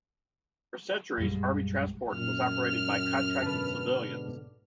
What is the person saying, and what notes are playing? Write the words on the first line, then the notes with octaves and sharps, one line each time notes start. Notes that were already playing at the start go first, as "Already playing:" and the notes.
For centuries, army transport was operated by contracted civilians.
A#1 F#2 G3 G#3
F#2 A#2 F6 F7
G#2 B2 D3 B4 A5